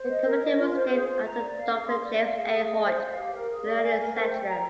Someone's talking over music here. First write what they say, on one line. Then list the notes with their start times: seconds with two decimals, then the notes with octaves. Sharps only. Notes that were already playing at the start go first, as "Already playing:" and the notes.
The community was named after Doctor James A. Hoyt, an early settler.
Already playing: C5
0.09 D#5
0.25 A#4
0.42 D#5
0.58 F4
0.74 C5
0.90 G#4
1.06 C5
1.23 A#5
1.38 D5
1.54 F5
1.72 G#4
1.88 C6
2.03 D5
2.20 F5
2.36 G#4
2.52 G#4
2.68 D#5
2.84 C5
3.00 F5
3.17 G4
3.33 A#4
3.49 G#4
3.65 D5
3.81 G#5
3.98 A#4
4.14 C5
4.30 G5
4.46 A#5